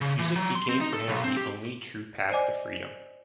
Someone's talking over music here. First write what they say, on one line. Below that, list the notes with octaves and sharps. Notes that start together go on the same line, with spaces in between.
Music became for him the only true path to freedom.
C#3
E3
F#3
C6
C4
D#4
A4
B1
C4
G4
C5 D5 D#5 G#5 D6